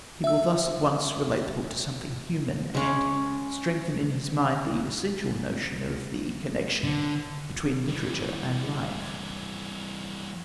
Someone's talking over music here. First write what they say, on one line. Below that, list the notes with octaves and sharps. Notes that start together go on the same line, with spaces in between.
He will thus at once relate the book to something human, and strengthen in his mind the essential notion of the connection between literature and life.
E5 E6
G#3 C#4 D6
D3
E3 G3